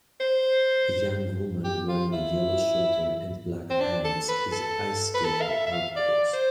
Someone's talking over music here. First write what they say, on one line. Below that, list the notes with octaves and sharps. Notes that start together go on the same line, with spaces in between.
A young woman wearing a yellow sweater and black pants is ice skating outdoors.
C5
G4
F4
E4
C4
D4
A4
B4
A4
B4
A4
F5
E5
E5
F5
D5
C5